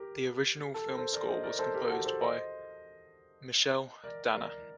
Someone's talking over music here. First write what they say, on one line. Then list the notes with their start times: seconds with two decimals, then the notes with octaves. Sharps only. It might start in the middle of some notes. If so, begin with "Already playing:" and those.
The original film score was composed by Mychael Danna.
Already playing: G4 A#4
0.74 A4
0.86 A#4
0.98 A4 C5
1.12 A#4 D5
1.28 C5 D#5
1.43 A#4 D5
1.59 A4 C5
1.74 G4 A#4
1.89 F#4 A4
2.05 A4 C5
2.21 C5 D#5
4.04 A#4 D5
4.35 A#4 D5